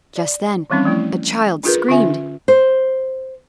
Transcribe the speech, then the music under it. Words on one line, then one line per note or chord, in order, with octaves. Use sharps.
Just then a child screamed.
D5
D#3 E3 G3 C4 C#4 D#4
F3 A3 E4
D4 D#4 F4 G#4 A#4 B4
D3 C#4 F4 E5 G#5
C5